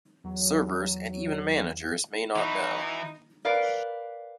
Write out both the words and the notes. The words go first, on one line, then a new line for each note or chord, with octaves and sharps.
Servers and even managers may not know.
E2 F#3
E3 D#4 E4 F#4
A#4 B4 D5 F5